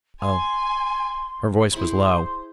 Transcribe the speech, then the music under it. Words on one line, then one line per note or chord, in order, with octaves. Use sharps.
"Oh." Her voice was low.
G#5 C6
E4 G#4 C5 B5